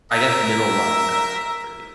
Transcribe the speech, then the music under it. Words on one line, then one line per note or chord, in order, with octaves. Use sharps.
I guess, middle line that works for you.
A#4 E5